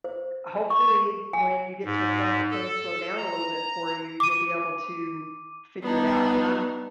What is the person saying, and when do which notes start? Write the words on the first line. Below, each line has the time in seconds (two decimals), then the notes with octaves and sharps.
hopefully when you get to a point that things slow down a little bit for you, you'll be able to figure it out, and I'm
0.04 C5
0.70 C#6
1.33 G#5
1.85 G#2
2.50 A4
3.17 A#5
4.20 D6 D#7
5.83 G3 B3 D4 D#4